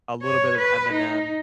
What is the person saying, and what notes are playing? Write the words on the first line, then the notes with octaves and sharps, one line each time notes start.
a little bit of Eminem
C#5
B4
D#4